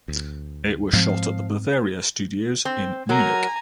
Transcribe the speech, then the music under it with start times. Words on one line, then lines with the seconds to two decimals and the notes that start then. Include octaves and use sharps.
It was shot at the Bavaria Studios in Munich.
0.08 D2
0.93 G#2 F3 C4 F5
2.65 C4
3.09 F#3 A#4 G#5 A#5